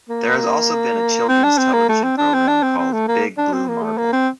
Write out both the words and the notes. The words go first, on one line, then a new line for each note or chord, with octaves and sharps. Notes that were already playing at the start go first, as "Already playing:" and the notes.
There has also been a children's television program called "Big Blue Marble".
A#3
C4
D4
C4
A#3
A3
C4
D4
C4
D4
C4
C4
A3
A#3
D4
C4
A#3
A3
A#3
C4